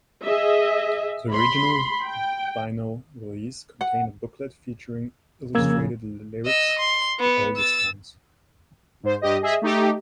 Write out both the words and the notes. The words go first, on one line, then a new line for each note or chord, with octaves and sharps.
The original vinyl release contained a booklet featuring illustrated lyrics to all the songs.
G#4 D#5 E5
B5 C6
G5
F#5
F2 C#3 A#3 E6 G#6
D#5 E6
C6
B3
E6 A6
G#2 C5
G2 G4 D#5
G#4 D#5 E5
A3 D#4 G4